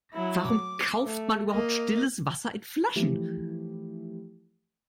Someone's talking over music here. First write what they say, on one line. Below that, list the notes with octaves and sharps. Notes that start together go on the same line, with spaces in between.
Warum kauft man überhaupt stilles Wasser in Flaschen?
F#3 E4
D6
A3
A#3 D#5
E3 F3 A3 E4 G4